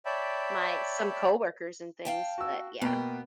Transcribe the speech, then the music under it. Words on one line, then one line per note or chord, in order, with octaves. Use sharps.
my some coworkers and things, but yeah.
C#5 D5 E5 G5 A5 B5
F5 G5 A5
F#4 E6
B2 A#3 B3 G5